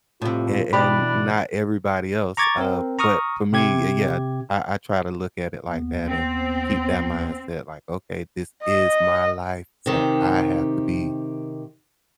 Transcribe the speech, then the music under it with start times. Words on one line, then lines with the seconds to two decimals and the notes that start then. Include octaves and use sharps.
and and not everybody else, uh, but, for me, y yeah, I I try to look at it like that and keep that mindset like, "Okay, this is my life so I have to be
0.22 A2 C3 F4
0.73 B2 E3 D4 G4 D5 B5
2.37 A#5 C#6 D6 G#6 A6
2.58 C4 A#4
2.99 A#5 C#6 D#6 F6
3.53 C3 G4 G#6
5.68 D#2 B3
6.09 C4
8.63 D#5
9.86 C3 D#3 G4